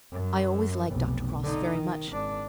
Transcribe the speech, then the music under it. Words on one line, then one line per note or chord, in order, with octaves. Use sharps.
I always liked Dr. Crofts very much.
F#2
F1 B1
D3 D#4
D#3
G#1 D4